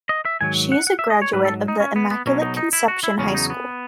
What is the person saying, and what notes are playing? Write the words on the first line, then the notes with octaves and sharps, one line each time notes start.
She is a graduate of The Immaculate Conception High School.
D#5
E5
G#2 D#3 F#3 G#5
F#5
F#5
E5
D#5
C#5
G#2 F#3 B4
A4
D#4
C#4
B3
B3
B1 B2 F#3 C#4
D#4
D#4
E4
F#4
E4
E2 C#3 F#3 C#4
D#4
B3